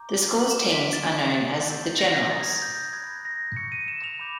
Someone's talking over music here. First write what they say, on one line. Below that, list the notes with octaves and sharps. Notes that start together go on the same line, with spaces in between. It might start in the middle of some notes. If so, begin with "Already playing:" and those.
The school's teams are known as the "Generals".
Already playing: A#5 D6 G6
G7
A#5 D6 F6 F#7
E7
D7
B6
B6
A6
B5 D#6 F#6 G#6
A6
C#6 E6 G6
A#6
A#5 D#6 G6 A6
G#6
G6
B5 D#6 F#6 G#6
A#6
C#6 E6 G6 C#7
D#7
E7
F7
B5 D6 G6